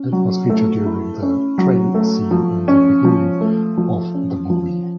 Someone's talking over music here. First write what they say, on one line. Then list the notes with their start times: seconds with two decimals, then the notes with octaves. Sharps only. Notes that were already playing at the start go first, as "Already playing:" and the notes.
It was featured during the train scene in the beginning of the movie.
Already playing: C#4
0.12 F#3
0.50 A3
0.86 E4
1.22 C#4
1.58 F#3
1.94 A3
2.31 F3
2.68 C#4
3.05 F3
3.41 A3
3.78 F3
4.14 C#4
4.50 F3